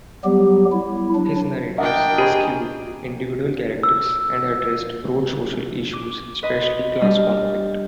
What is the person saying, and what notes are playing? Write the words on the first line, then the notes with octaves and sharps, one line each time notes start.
His narratives eschewed individual characters and addressed broad social issues, especially class conflict.
F#3 G3 B3 G4
E4
F#3 D4
D4 A#4 D#5 E5 F#5 G5
G4 G#4 B5 C#6
E6
D6
B4 D#5 B5 C6
G3 D4 D#5 F6